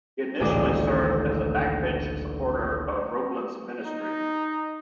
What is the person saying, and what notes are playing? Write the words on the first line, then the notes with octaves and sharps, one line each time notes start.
He initially served as a backbench supporter of Roblin's ministry.
D#1 A1 D2 G#3 C#4 D6
D#4